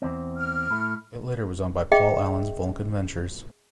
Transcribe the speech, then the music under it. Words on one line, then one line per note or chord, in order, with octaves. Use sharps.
It later was owned by Paul Allen's Vulcan Ventures.
E2 C4
F6
A2 A3
G#4 D#5 E5 G5